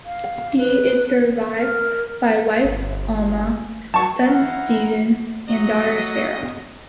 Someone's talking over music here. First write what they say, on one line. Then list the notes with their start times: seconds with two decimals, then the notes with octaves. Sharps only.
He is survived by wife Alma, son Steven and daughter Sara.
0.06 F5
0.58 B4
1.55 A#4
2.64 G1
3.94 F#3 A5 C#6
4.26 E4 F5 F#5 A#5
5.49 F#3 D#5